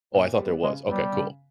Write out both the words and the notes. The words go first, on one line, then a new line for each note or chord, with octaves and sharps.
Oh, I thought there was. Okay. Cool,
A#2
G3 B3
C#3 G#3
F#3 G3 B3
C#3